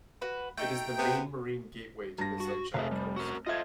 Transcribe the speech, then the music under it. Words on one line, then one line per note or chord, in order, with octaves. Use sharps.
It is the main marine gateway to the Sunshine Coast.
F#4 B4
A3 D#4 G5 G6
C3 B3
G2 A#6
F#4
F1 G#4 E5 F5
G3
F#4 A#4
F4 A4 C5 D#5 E5 G#6